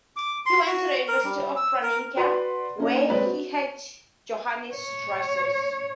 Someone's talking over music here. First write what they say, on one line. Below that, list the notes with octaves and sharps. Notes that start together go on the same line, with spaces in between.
He went to the University of Franeker, where he heard Johannes Drusius.
D6
C6
F#4
A#4
G3
E6
A#4
F#4 B4 D5 F#5 C6
A#3 C#4 D#4
G#3 C4 B4 C#5 D5
F#4
C#5